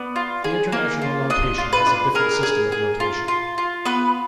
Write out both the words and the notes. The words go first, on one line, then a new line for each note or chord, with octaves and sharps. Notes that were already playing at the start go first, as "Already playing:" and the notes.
The international notation has a different system of notation.
Already playing: B3 D5
F4
G#4
A#3
F4
D4 D#5
F4
B4
D4
G#4 A#4
G#4
G#4
F4
F4
F4
B3 B4